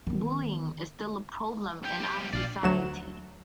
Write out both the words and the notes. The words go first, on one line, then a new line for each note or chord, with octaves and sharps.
Bullying is still a problem in our society.
D#3 B3
B1 G4
A#1 D5 F5
D2 F#3 E7